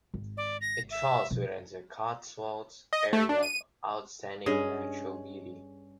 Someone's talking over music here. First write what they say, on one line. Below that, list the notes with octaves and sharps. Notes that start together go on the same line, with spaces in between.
It falls within the Cotswolds Area of Outstanding Natural Beauty.
G#1
D5
A#6
E5
B2 F3
D#5
A3
D4
D#7
G2 C#4 G#4 D#5